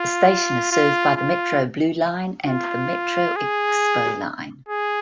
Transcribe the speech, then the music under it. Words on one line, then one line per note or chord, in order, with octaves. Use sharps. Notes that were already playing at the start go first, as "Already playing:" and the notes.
The station is served by the Metro Blue Line and the Metro Expo Line.
Already playing: F4
F4
F4
F4
G#4
G#4